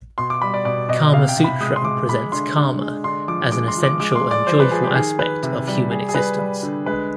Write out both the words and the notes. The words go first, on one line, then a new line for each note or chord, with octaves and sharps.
"Kama Sutra" presents kama as an essential and joyful aspect of human existence.
B2 C6
D6
G3 B5
D5
B2 D5
B2 D#5
C3 F5
G5
C3
B5
G#3 D#6
C6
G#3 D6
G#3 B5
D3 C6
D3
G#3
D3 C6
F3 D6
G#3 D6
C6
F3
D6
G#3 D6
D6
C6
G#3
D5
F3 C5
B4
F3 G#4
G4
D#3 G#4
D#3 B4
C3
G3
G3 G#4
G#4
G3 B4
G3
D3
G#3 B4